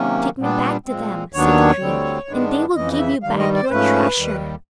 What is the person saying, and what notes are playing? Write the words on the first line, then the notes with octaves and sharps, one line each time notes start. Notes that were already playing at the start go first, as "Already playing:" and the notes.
"Take me back to them," said the dream, "and they will give you back your treasure."
Already playing: C3 D#3 F#3 A#3 C#4
A#2 G3 B3 D4
A#2 F3 G#3 C4
D#2 D#3 F#3 B3 D4 C#5
D2 D3 G3 C4
G2 D#3 G#3 B3 D4
F2 C#3 E3 D#5
D#5
E5
G2 D#3 G3 F5
D#5
D5
C5
G#2 F3 A3 C#4 B4
D#2 D#3 G3